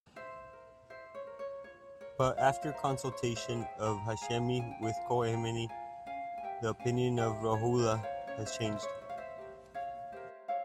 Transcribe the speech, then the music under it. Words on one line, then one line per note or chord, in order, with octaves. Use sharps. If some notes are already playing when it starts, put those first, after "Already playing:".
But After consultation of Hashemi with Khomeini, the opinion of Rouhollah has changed.
E4 C5 E5
A#4
E4 C5 E5
C#5
A#4
C#5
F4 C#5
A#4 C#5
F4 C#5 F5
C5 E5
A#4
C#5
C5
E4 C#5
C5 E5
G#4
G#5
E5 G5
E4 G5 A#5
G#4 F5 G#5
C#4 G#5
G5
F5 G#5
F4 A#4
C#4 G5 A#5
F4 A#4 F5 G#5
C#4 F5 G#5
G#5
G4 A#4 E5 G5
C#4 F5 G#5
G4 A#4 E5 G5
C#4 C#5
C5 E5
E4 A#4 G5
C#5 F5
C#4 C#5
C5 E5
E4 A#4 C5 E5
E5
C#5
E4 E5
F5
C5 E5
G4 A#4
E4 C#5 F5
G4 A#4 C5 E5
E4 C#5 F5